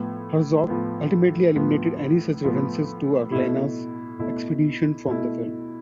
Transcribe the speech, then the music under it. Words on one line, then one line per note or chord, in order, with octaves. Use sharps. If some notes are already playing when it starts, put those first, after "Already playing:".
Herzog ultimately eliminated any such references to Orellana's expedition from the film.
Already playing: A2 F3 B3
A2 F3 B3
A2 F3 B3
A2 F3 B3
B2 A3 E4
B2 A3 E4
B2 A3 E4